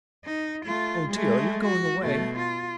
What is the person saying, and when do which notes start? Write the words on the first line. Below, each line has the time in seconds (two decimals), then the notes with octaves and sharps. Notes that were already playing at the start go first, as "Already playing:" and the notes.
"Oh dear, are you going away?"
0.24 D#4
0.66 A3 F4
1.10 G#3 A3
1.66 F#4
2.02 B2 A3
2.38 F4